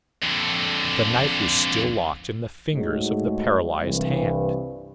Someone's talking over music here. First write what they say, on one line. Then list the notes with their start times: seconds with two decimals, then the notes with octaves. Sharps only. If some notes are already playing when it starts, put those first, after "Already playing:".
The knife was still locked in the fingers of the paralyzed hand.
0.22 F2 D3
2.74 G#2 F#3 G#3 A3
3.82 C2 G2 E3